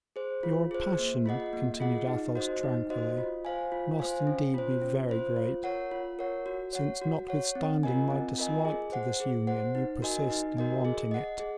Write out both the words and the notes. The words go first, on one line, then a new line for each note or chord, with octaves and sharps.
"Your passion," continued Athos, tranquilly, "must indeed be very great, since, notwithstanding my dislike to this union, you persist in wanting it."
G#4 C5
F4
G#4 C5
A#3
F4 G#4 D#5 F#5
A#3
F4 G#4 D#5 F#5
D#4
F#4 C5 D#5
D#4
F#4 C5 D#5
F4
C5 F5 G#5
F4
C5 F5 G#5
C#4
F4 C5
C#4
F4 C5
F4
A#4 C#5 F#5
F4
A#4 C#5 F#5
F#4
C#5 F#5
F#4
C#5 F#5
C4
F4 A#4 D#5 G#5
C4
F4 A#4 D#5 G#5
G#4
C5 F#5
G#4
C5 F#5
D#4
F#4 A#4 D#5 G#5
D#4
F#4 A#4 D#5 G#5
G#4
D#5 F#5
G#4